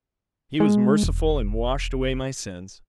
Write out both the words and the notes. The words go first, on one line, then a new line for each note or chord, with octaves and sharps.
He was merciful and washed away my sins.
G#3
E1